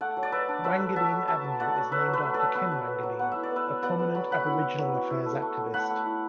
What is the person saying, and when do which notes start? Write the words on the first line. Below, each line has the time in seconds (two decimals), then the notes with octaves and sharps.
Wanganeen Avenue is named after Ken Wanganeen a prominent Aboriginal Affairs activist.
0.01 A3 D5 F#5
0.17 F#3
0.23 D5
0.32 F#3 B4 E5
0.49 D4
0.64 F#3 B4 E5
0.80 A3
0.96 F#3 E5 A5
1.12 A3
1.28 F#3 E5 A5
1.44 F#3
1.60 A3 D5 F#5
1.76 F#3
1.92 F#3 B4 E5
2.08 F#3
2.13 B4 E5
2.23 A3
2.34 A4 D5
2.40 F#3
2.55 B3 B4 E5
2.72 F#3
2.87 B3
3.03 F#3
3.19 B3 F#5
3.32 E4 E5
3.43 D5
3.51 B3
3.56 B4 E5
3.67 F#3
3.83 B3 D5 F#5
3.99 B3
4.15 F#3 B5
4.31 F#3 F#5 B5
4.46 E4
4.63 E4
4.79 F#3
4.94 F#3
5.10 E4
5.26 A3
5.42 A3
5.58 A3
5.74 A3 F#5 B5
5.90 A3
6.06 E4